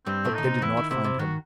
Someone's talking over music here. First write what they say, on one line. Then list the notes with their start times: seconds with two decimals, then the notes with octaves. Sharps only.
But they did not find him.
0.06 G2 G3 C4
0.25 A2 A3
0.34 D#3 D#4
0.44 C3
0.62 E2 E3 E4
0.77 D#3
0.90 C3 E4
1.04 C3
1.19 D#3 F#4